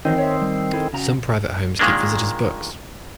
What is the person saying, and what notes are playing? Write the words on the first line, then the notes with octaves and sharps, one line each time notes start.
Some private homes keep visitors' books.
D#3 E3 F#3 C4 D#4
C#5 E5
G3
E4 A4 D#5
C#3 F#4 A#5
A#2 D#3 G#3 A#3 D4